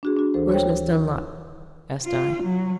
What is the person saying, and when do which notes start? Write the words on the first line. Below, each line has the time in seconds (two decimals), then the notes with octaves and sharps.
"Where's Miss Dunlop?" asked I.
0.03 D4 F#4 G#4
0.17 D4 F#4
0.34 D2 E3 A4 C5
0.49 F#4 C5 C#5 G5
2.05 F4
2.43 F#3